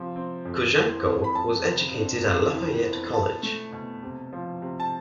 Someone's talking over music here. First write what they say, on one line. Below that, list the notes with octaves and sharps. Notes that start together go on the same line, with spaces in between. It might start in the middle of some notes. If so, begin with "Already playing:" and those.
Cojuangco was educated at Lafayette College.
Already playing: C3 F3
C4
F2
E3
F2
B5
F2 A5
C3
D4
F2
E3
B3
B2 A5
A3
B2
C3
F3
C3
A5